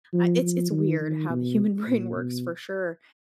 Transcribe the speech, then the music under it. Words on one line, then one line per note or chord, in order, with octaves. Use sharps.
I it's it's weird how the human brain works for sure,
F3
F3
D#3
D#3
B2
A#2
B2